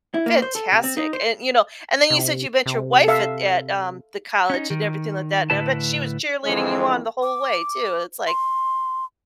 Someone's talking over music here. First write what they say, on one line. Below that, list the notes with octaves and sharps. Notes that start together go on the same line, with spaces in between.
fantastic, and, you know and then you said you met your wife at at, um, the college and everything like that, and I bet she was cheerleading you on the whole way too, it's, like,
E4
A#3
C5
A4
C3
C4
D#4
C5
C3
C3
A4 E5 F5
C#4 D#4
D#3
A2 D3 E4 B4 A5
F2 D3 E3 G#3 C4
D6
C6